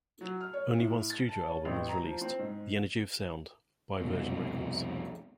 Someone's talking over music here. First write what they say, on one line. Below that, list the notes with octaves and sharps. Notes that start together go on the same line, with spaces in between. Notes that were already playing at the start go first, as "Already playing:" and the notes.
Only one studio album was released, "The Energy of Sound", by Virgin Records.
F#3
F6
C#5
A2
A6
A5
C#5
A1
A#5
F3
C4
G#2
F1 C2 F2 B2